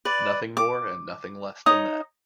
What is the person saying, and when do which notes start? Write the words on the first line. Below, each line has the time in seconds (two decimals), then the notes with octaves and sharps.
Nothing more and nothing less than that.
0.05 B4 D5
0.57 D6
1.66 D#4 C#5 D#6